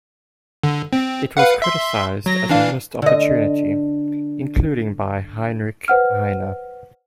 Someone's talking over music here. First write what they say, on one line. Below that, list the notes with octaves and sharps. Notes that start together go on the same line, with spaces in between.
It was criticized as a missed opportunity, including by Heinrich Heine.
D3
C4
B4 F5 F#5
E5 C6
F#3 A#6
E3 D4 F5
D3 D#5
B4 C5 F#5 F6